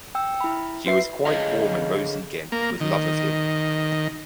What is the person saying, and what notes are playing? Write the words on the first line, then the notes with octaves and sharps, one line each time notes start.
She was quite warm and rosy again with love of him.
G5 E6
E4 B5
F#4 B4 E5 C7
D3 G#4 C#5 D#5 F5
A#3
D#3